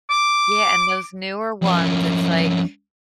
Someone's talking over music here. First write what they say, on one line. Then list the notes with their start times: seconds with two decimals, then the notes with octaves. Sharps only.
Yeah, and those newer ones, it's like
0.10 D6
1.62 F2 C#4